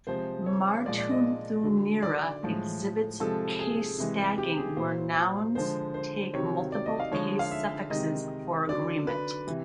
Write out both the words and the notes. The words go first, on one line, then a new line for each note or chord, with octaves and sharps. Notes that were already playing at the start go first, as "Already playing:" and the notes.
Martuthunira exhibits case stacking, where nouns take multiple case suffixes for agreement.
C3 F3 G#3 C5
C#5
A#2 F3 G#3 D5
D5
D#5
D3 F#3
D5
A2 F3 G#3
C3 F3 G#3 A4
G#4
C3 E3 G#3
G4
G#4
A#2 F#3 C5
D3 F3 G#3 C5
C5
C3 D#3 F#3 C#5
D5
D#5
F5
D3 F3 G#3 C#5
F5
E5
C3 D#3 G#3 D#5
D3 F#3 D5
B4
C3 E3